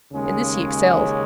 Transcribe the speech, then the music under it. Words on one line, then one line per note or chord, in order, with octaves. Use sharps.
In this he excelled.
D#2 C#3 G#3 C#4 G#4